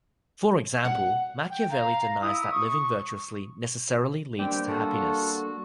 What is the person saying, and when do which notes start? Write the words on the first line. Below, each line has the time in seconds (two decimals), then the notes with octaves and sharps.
For example, Machiavelli denies that living virtuously necessarily leads to happiness.
0.85 F#5
1.49 G5
1.70 F5 A#5
2.22 E4 D#6
2.50 C#6
4.39 G3 A#3 C4 D4 G4 G5
4.68 F4 F#4 A4 F#5
5.30 F#4